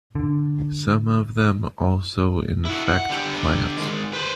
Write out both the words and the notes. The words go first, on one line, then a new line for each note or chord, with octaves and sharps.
Some of them also infect plants.
D3
E4 F#4
F#5
D3 G4
D#3 G#3
B4 C5